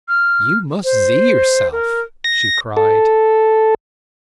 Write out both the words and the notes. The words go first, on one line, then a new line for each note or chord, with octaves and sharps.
"You must zee yourself!" she cried.
F6
C5
A#4
A#6
A4